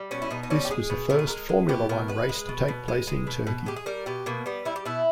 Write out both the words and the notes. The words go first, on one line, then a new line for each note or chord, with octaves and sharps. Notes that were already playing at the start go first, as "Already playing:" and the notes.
This was the first Formula One race to take place in Turkey.
Already playing: G3
B2 C#4
E4
B2 D#4
D#4
G3 C#4
G4
G#3 G#4
B2
B2 A#4
G#4
G#3 A#4
G#3
B2 G4
B2 A#4
G#3 B4
G#3
B2
B2
G#3
G#3
B2
B2
G#3 G4
G#4
G3 A#4
B2 G4
B2 A#3
G3 B3
G3 E4
G4
B2 E4